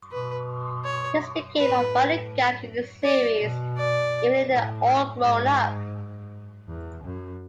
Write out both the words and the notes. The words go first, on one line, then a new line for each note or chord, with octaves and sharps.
This became of running gag in the series even in All grown up.
B2 B4
C#5
A2 B4
D5
B2
D5
A2
G#2
E2
F#2